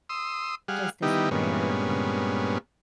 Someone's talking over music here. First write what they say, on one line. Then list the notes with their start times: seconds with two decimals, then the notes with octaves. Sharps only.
just this rare and
0.09 C6 D#6 E6
0.68 G3 G#4 F5 F#5
1.02 D#3 G3 B3 D#4 E4 G4
1.31 G2 A#2 G#3 B3 C#4